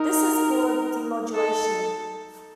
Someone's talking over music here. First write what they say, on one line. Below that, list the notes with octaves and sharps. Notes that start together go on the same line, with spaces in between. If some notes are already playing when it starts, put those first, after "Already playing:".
This is called demodulation.
Already playing: D#4 A#4
A4